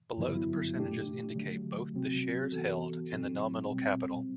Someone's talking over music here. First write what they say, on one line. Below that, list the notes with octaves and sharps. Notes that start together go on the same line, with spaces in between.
Below, the percentages indicate both the shares held and the nominal capital.
G2 D3 F#3 B3 E4
B2 A3 D4 G4
D3 F#3 A3
C3 F#3 C4 F#4
E3 B3 F#4 A4
B2 F#3 C4
B2 G3 C4